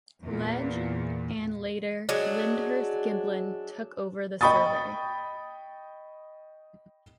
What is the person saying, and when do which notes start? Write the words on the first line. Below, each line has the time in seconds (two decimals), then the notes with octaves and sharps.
Legge and, later, Lyndhurst Giblin took over the survey.
0.22 E2 A#2
2.09 F#3 G#3 D4
4.41 D#5 G5 B5 C#6 D#6 A6